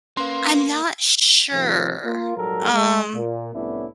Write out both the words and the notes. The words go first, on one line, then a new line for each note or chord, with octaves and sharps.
I'm not sure, um.
A#3 C#4 B4 F5 C6
A2 C3 D#3 F3
A#3 F4
A#1 G#2 F#3 G3 A4 A#4
G#3
A#2
C2 A2 B3 C#4 D4 E4